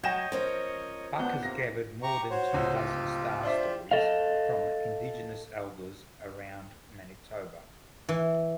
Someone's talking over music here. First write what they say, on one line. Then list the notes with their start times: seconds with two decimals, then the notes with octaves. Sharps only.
Buck has gathered more than two dozen star stories from indigenous elders around Manitoba.
0.03 F#3 C#5 D#5 F#5 G5 G6 A#6 E7
0.32 F3 C#4 A#4 C5
1.19 B3 D4 G6
1.43 C3 A#3 A#6
2.03 G4 A#5 C#6
2.30 F#4 C5 C#5
2.53 D1 C#2
2.74 F4 G4
3.43 D4 C5 E5
3.91 A4 D#5 F5
8.09 E3